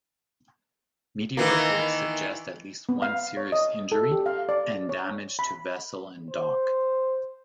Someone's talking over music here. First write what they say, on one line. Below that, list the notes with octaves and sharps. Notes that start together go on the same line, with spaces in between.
Media reports suggest at least one serious injury, and damage to vessel and dock.
D#3 E3 A#3
B3
F5
C#5
D#5
A4
G4
F5
D5
C#5
B5
C5